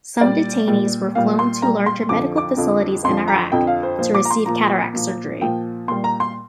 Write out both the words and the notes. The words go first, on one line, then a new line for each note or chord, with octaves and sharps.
Some detainees were flown to larger medical facilities in Iraq to receive cataract surgery.
A#2 G3 D5
A#2 G3
A#2 G3 F5
C6
A#2 G3 A#5
C6
F2 D3 F3 D6
D6
F2 D3 F3
F2 D3 F3 C6
A#5
F2 D3 F3 G5
F5
C5
A#2 F3 C5
D6
A#5
C6
A#2 F3 A#5
A#2 F3
A#2 F3 G5
A#2 G3 C6
A#5
C6